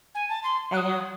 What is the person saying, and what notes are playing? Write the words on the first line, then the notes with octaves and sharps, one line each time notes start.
I know.
G#5
A5
C6
F#6
D#6